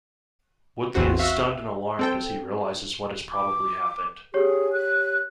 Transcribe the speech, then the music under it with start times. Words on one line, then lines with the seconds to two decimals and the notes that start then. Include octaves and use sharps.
Woodley is stunned and alarmed as he realizes what has probably happened.
0.95 A1 E2 C4 F#4
1.19 F#4 E5 F5
1.99 C4 A4 G5
3.32 D6
4.34 G4 G#4 C#5
4.73 F#6